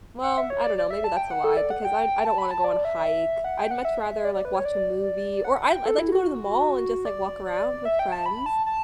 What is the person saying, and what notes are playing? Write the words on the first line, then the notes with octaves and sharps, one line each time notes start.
well, I don't know, maybe that's a lie, because I I don't wanna go on a hike. I'd much rather, like, watch a movie, or I'd I'd like to go to the mall and just, like, walk around with friends
F#5
E5
C#5
D5
D5
E5
A5
G5
F#5
A4
D5
F#5
G5
A5
B5
A5
D5
E5
F#5
G5
F#5
E5
D5
D5
B4
C#5
D5
F#5
G5
A4
E4
F#4
D5
D5
E5
G5
A5
B5
A5
A5